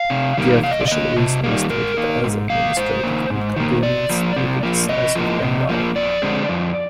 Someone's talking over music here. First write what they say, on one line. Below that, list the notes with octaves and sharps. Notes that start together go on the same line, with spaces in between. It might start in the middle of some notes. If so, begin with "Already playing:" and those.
The official reason was stated as administrative inconvenience due to the size of Bengal.
Already playing: F5
C3
D#3 G3 A#3
C3 F5
D#5
D5
D#3 G3 A#3 D#5
C3
D#3 G3 A#3
G#2 A#4
D#3 A#3
G#2
D#3 A#3 F5
G#2 C5
D#3 A#3
G#2
D#3 A#3
C3 D5
F3 A#3
C3
F3 A#3
C3 D#5
F3 A#3
C3
F3 A#3
F2 D5
D3 G#3 C4
F2